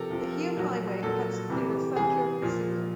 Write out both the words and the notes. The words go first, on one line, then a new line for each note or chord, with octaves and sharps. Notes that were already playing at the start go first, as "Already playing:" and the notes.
The Hume Highway cuts through the centre of Casula.
Already playing: C3 F3 A4 A#4
C3 F3
A#2 F#3
A#2 F#3 A4
C3 E3 G3
C3 E3 G3 G#4
A#2 F3